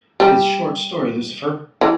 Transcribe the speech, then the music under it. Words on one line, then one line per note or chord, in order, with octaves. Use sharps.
His short story Lucifer!
G3
E3